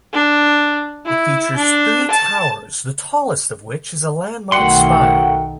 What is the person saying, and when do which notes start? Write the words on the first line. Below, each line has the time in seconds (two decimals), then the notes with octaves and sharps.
It features three towers, the tallest of which is a landmark spire.
0.13 D4
1.06 E4
1.57 D4
2.11 A5
4.52 B1 D#3 A3 F#4 A#4 F#5 G5 C6